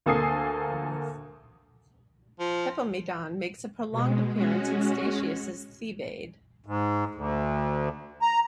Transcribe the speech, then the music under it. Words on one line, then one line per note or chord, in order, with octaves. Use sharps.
Hippomedon makes a prolonged appearance in Statius' "Thebaid".
D2 A#3 A4 G#5 D#6 C7
F3
B2 G#3
G#3 C#4 F#4
G#2
D2
A#5